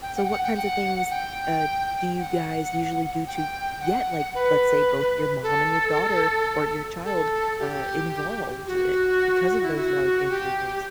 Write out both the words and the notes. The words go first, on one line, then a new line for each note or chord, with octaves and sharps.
So, what kinds of things, uh, do you guys usually do to get, like, let's say, both your mom and your daughter or your child, uh, involved, eh because of those large age ranges.
G5
F#5
G5
F#5
G5
F#5
G5
F#5
G5
F#5
B4
A4
A4
G4
F#4
E4
F#4
G4